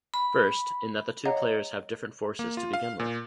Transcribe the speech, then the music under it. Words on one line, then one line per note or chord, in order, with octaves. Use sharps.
First, in that the two players have different forces to begin with.
B5
C#5 D#5 F5 F#5 A#5
A#3
F4
F5
A#2